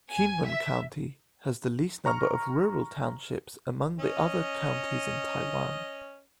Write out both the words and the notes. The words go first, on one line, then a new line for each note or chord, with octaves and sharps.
Kinmen County has the least number of rural townships among other counties in Taiwan.
G#5
E5
A#5 C#6 F6
C#4 D#5